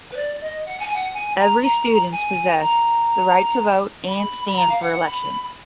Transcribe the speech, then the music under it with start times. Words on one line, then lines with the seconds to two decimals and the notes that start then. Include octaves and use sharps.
Every students possess the right to vote and stand for election.
0.12 B4
0.16 D5
0.41 D#5
0.66 F#5
0.80 G#5
0.93 F#5
1.14 G#5
1.39 A#5
1.63 A#5
2.12 G#5
2.61 A#5
4.07 B5
4.48 B5
4.56 A#5
4.69 F5
4.81 F#5
5.06 B5